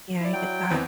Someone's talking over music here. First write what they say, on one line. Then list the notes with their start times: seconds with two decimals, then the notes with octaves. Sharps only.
Yeah, I get that.
0.21 E4 D5
0.33 F#3 G5
0.70 E2 E3 C4